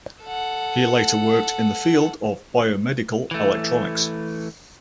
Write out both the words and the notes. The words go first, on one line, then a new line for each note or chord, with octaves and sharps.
He later worked in the field of biomedical electronics.
A4 F#5
E3 A3